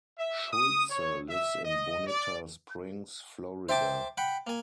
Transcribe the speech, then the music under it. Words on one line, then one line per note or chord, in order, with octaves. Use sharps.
Schulze lives in Bonita Springs, Florida.
E5
D#6
C#5
E5
D#5
D5
C5 E5 G5 A5 D6
F#5 G5 B5
A#3 G#5